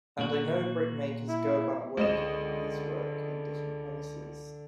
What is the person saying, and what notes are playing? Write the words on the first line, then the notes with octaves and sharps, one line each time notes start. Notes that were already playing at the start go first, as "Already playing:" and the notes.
And I know brickmakers go about working at piecework in different places.
A#2 F#4
E4
C#2 D3 G#4 D#5 E7